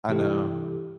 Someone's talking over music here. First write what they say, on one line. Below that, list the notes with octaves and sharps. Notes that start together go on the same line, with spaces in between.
I know.
C3 E3 E4 G4 A4